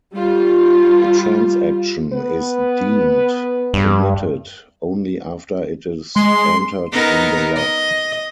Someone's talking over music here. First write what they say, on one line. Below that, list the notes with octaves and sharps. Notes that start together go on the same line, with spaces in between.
A transaction is deemed committed only after it is entered in the log.
G3 F4
B3 B4
G2
G#3 C6
B3 D#4 A#4
D#5